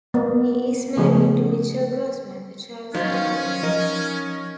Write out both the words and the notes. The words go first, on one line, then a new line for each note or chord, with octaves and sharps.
He is married to Michal Grossman, a child psychologist.
A#3 B3
C#3 F3 A3 B3 G#4
D#3 F#3 C#4 D#4 F4 C5
F3 D#4 A#4 D#5